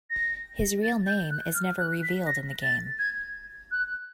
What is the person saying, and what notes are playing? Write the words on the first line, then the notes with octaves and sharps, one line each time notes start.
His real name is never revealed in the game.
A#6
A6
G6
F#6
F6
F#6
B6
A#6
A6
G#6
F#6